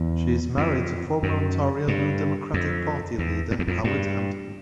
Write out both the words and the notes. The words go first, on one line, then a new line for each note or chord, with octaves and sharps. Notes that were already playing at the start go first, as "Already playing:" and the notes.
She is married to former Ontario New Democratic Party leader Howard Hampton.
Already playing: E2
F2
F#2
G2
F2
E2
F2
E2
F2
G2